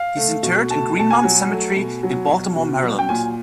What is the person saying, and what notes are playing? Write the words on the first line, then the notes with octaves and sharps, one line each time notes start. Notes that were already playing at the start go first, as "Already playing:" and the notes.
He is interred in Greenmount Cemetery in Baltimore, Maryland.
Already playing: F5
A3
B2
A3 A5
B2 A5
G#5
F#3
A3
B2
F#3
B2
B2
F#3
G5
A#2 G#5